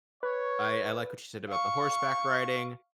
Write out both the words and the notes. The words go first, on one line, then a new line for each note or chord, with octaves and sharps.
I I like what you said about the horseback riding.
B4 C#5
F5 C#6